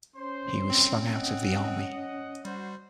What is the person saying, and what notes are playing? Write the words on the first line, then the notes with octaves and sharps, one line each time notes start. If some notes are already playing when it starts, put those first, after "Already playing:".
He was slung out of the army.
C#4 C5 C6
C4
D#5 F#5
G3 F#4 C5